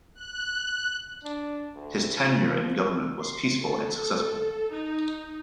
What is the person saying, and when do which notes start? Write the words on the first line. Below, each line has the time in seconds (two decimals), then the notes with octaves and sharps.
His tenure in government was peaceful and successful.
0.14 F#6
1.24 D4
1.75 D2
2.16 F3
3.21 C6
3.64 A4
4.73 D#4